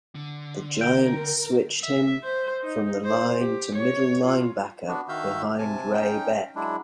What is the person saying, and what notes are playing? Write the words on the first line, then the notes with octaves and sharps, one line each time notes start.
The Giants switched him from the line to middle linebacker behind Ray Beck.
D3
A#4 G5
E5
C5
D#4
C5
G4
C#5
F4
B3 D4 F#4
D#3 F#4 E5 F5 E6 G6
C3 G#5 A5
C#4 D#4 G5
F#3 G#3 D4 E4